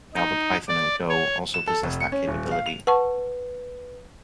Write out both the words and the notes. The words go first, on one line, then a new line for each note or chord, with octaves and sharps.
Java, Python and Go - also possess that capability.
D#4
D5
C#5
E7
A4
F1
C#7
C#4
D#1
F5
F7
B4 F#5 A5 C#6